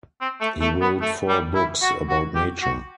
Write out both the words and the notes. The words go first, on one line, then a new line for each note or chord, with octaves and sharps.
He wrote four books about nature.
C4
A3
A3
B3
A3
G3
E4
F#4
F#4
G4
F#4